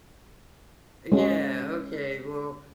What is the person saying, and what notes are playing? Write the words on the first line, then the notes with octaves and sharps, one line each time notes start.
yeah, okay, well,
G#3 C#4